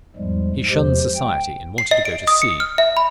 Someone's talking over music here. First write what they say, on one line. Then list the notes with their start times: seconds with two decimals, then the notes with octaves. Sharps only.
He shunned society and wanted to go to sea.
0.16 E2 G#2 F3 G3 G#3
0.70 E2 C3 F3 G#3 G4 C5
1.15 G5
1.78 C7
1.91 D#5
2.05 D7
2.27 D#6
2.42 C#7
2.60 F6
2.78 E5
2.97 B5